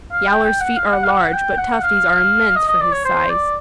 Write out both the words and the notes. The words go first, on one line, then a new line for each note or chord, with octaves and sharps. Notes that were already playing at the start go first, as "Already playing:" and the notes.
Yowler's feet are large, but Tufty's are immense for his size.
F5
G5
G5
F#5
F5
F#5
F5
F#5
G5
F#5
F5
D#5
D#5
D5
C#5
C5
D5